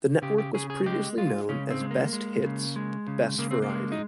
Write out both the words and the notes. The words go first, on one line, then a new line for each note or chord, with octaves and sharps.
The network was previously known as Best Hits, Best Variety.
C#3 G4
G4
C#3 G#4
G#4
G#3 G4
G#3 F4
C#3 C#4
C4
G#3
A#3
G#3
C#3
G#3
C#3
C#3 A#3
C4
A#3
G#3
D#4